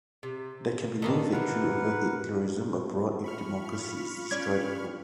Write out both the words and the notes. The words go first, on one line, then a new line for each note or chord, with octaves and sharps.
There can be no victory over Hitlerlism abroad if democracy is destroyed at home.
C3
B2 D#3 A4 D5 F5 A#5
C3 E3 A#4 B4 F#5
F4 B5 C#6 F6
C#4 D5 G#6